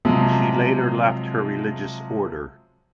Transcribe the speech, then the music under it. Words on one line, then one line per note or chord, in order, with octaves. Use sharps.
She later left her religious order.
C3 F3 F#3 G#3